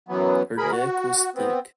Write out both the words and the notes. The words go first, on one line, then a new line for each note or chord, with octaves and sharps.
Her deck was thick.
F#2 E3 F#3 B3
D2 G#4 A#4 B5
F#4
B3 C4